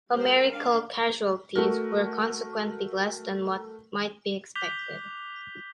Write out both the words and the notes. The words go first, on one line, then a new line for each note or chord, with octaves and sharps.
Americal casualties were consequently less than what might be expected.
G#3 G4 A#4 C5
D4 F5
A3 F#4 A#4
D6 F#6 G6 B6 F7 G7